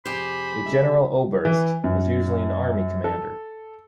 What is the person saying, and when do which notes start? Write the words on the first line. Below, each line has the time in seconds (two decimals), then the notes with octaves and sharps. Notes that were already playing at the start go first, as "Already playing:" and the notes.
A "Generaloberst" was usually an army commander.
0.05 F2 C3 G4 G#4 C5 B5
0.65 C#3 G#3 D4 E5
1.45 E3
1.84 F#2
3.04 A4